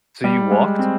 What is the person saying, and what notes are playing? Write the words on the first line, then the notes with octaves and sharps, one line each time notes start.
So, you walked?
G3
G#3
C4